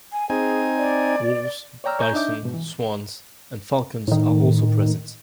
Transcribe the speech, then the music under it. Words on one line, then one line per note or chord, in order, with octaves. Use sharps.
Wolves, bison, swans, and falcons are also present.
G#5
C4 D#4 G#4 G#5
D5
C#5 D5 G5 A#5 E6 F6
C#5 G#5 A#5 G6
D4 D#4 D#5 E5 D6 G6
G#2 B2
E3
A2 D#3